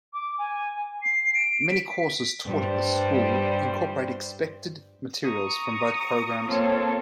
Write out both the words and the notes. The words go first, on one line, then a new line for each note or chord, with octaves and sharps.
Many courses taught at the school incorporate expected materials from both programs.
D6
G#5
C7
D7
B6
G2 G3 C5
A#5 C#6 D#6
A#3 C4 F4 A4 C#5